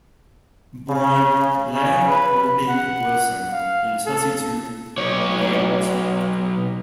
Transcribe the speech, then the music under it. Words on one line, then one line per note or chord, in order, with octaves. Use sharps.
Born Blair Aubyn Wilson in Chelsea to Lieut.
C#3
C#3
B4
F#5
F5
A4
B1 C#5